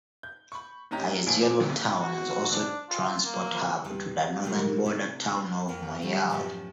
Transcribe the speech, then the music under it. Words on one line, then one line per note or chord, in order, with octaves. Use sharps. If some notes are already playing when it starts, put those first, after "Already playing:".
Isiolo town is also transport hub to the northern border town of moyale.
G6
B5 C#6
A2 C#4 D#4 G4 A#5 G6
F2 A#2 F3 A3 G#5 D7
C5 G#5 D6
F#4
D4
F4
A#3
E2 E3 G3
A#2 D#3 F#3 G3 F4 A#4
C3 A3 E4
F2 F3 A#3
D3 G3 A3
F#2 A2 D3 F3 B3 G4